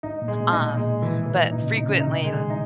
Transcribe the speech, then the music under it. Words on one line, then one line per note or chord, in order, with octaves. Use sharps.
Um, but frequently
G#2 D#4
A#2
G#3
B2
D#4
A#2
A#2 G#3
G#2 E3
G#2 E3
A#2 D#4
C#3
B2
D#4
C#3
D#4
D#3
D#3 G#3
D#4